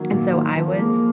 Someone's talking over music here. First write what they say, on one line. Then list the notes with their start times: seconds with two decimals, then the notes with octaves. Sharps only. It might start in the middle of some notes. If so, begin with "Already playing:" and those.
and so I was,
Already playing: D#3 F#3 A#3
0.12 A#2
0.34 D#3 F3
0.55 F2 F3
0.66 A#3
0.77 G#3 A#3